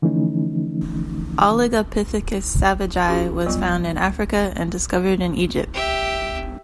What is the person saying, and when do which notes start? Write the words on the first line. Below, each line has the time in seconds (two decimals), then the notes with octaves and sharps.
"Oligopithecus savagei" was found in Africa and discovered in Egypt.
0.02 D3 E3 F3 A3 C#4 D#4
3.08 C#4 F4 F#4 G#4
3.46 F#3 G3 B3 F4
5.74 G4 E5